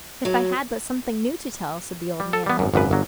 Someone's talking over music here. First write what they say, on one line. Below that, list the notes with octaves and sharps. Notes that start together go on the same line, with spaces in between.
"If I had but something new to tell," said the old man.
F#3
G3
A4
G3 B3
G#1 F#2
G#1 C#2 F#2 B4
G1 F#3